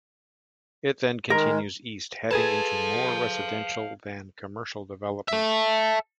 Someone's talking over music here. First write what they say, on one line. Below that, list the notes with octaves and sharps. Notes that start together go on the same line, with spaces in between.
It then continues east, heading into more residential than commercial development.
D#3 G#3 A#4
G#4 A4 B4 F5 A5 G#6 D#7
A4 E5